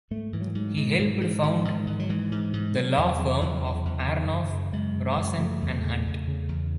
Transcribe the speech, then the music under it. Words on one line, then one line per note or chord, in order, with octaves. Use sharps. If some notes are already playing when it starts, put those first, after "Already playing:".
He helped found the law firm of Aronoff, Rosen and Hunt.
G#2 A3
G#2 E3
F#3
E3
G#2 F#3
G#2 G#3
G#2 F#3
G#2 E3
G#2 D#3
G#2
G#2
F#3
G#2 E3
G#2
G#2
C#3 F#3
E2
C#3
E2
C#3
E2
C#3
F#2
C#3
F#2 G#3
C#3
F#2
C#3 A3
E2
C#3
E2
C#3
E2